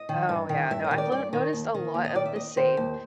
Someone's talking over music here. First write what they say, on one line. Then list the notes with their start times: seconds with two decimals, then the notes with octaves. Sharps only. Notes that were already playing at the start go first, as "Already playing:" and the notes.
Oh, yeah, no. I've learn noticed a lot of the same,
Already playing: D#5
0.09 D#3
0.29 G2
0.49 D#3
0.71 G2 E5
0.84 D#5
0.91 D#3
0.98 D5
1.12 G2 D5
1.33 D#3
1.53 D#2
1.75 D#3
1.94 D#2
2.05 D#5
2.15 D#3 D5
2.26 E5
2.35 D#2 D#5
2.57 D#3 C5
2.77 D#2